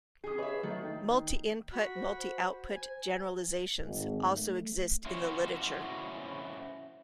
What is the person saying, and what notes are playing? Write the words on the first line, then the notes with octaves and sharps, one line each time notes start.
Multi-input-multi-output generalisations also exist in the literature.
F2 G4 G#4 D#6
G#4 B4 C#5 D#5 E5
D#3 F#3 A3
A#3 D#4 G5
F#4 B5
C5
G#5
G#1
A3
C#4 E4 F#4 C5 C#5